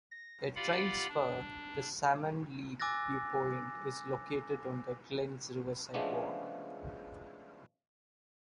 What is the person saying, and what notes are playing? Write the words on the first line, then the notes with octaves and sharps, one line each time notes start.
A trail spur, the salmon leap viewpoint, is located on the glen's Riverside Walk.
A#6
F4 G4 D5 F5 F#5 B5
D4
G#5 D6 E6 F#6 A6 A#6
C#3 F3 G#3 A3 B3 D4